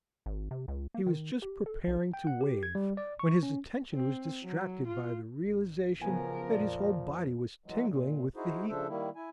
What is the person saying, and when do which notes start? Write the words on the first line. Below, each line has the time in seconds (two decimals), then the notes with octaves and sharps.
He was just preparing to wave when his attention was distracted by the realization that his whole body was tingling with the heat.
0.26 G#1
0.51 C3
0.68 C#2
0.94 A#3
1.06 D#3
1.42 G4
1.66 A4
1.87 B1
2.14 G5
2.27 F#5
2.41 G4
2.63 G#6
2.75 G3
2.97 D5
3.19 C#6
3.43 C#4
3.94 C4
4.44 F#3
4.88 F4
5.40 A1
6.01 C#3 F3 F#3 B3 A#4 G#5
6.50 F2 A#2 D5 A#6
7.66 E3 F#3 G#3
7.87 A#2
8.36 D#4 E4 F#4 G#4 C5
8.69 C#3 F3 D4 A4 C5 E5
8.88 D#3 G3 A#3 E4
9.16 E4 G#5